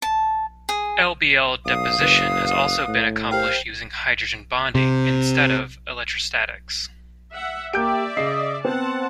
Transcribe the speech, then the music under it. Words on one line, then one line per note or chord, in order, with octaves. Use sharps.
LbL deposition has also been accomplished using hydrogen bonding instead of electrostatics.
A5
G#4
B1 F5 D#6
F#1 C#3 B4 F#6
A2
G4 A#4 C5 F5 G5
C3
E5 F#5
A#3 G4 D5 E5 G6 D7
C#3 D#5 C7
B3 C4 F#5 A5